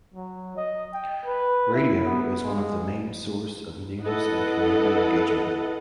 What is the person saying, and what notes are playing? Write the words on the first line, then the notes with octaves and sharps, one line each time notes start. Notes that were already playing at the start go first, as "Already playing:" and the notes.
Radio is one of the main source of news and community engagement.
F#3
D#5
G5
B4
E4
B3
G#3
E4 A4 B4 D#5 F#5